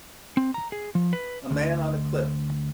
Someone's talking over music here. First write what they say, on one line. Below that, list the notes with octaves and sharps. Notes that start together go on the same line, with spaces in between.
A man on a cliff.
C4
A#5
G#4
F3
B4
D2